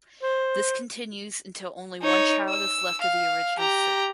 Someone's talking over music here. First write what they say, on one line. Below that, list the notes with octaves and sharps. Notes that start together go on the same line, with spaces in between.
This continues until only one child is left of the original circle.
C5
D#4 C#5
E6
F5
G4 A#5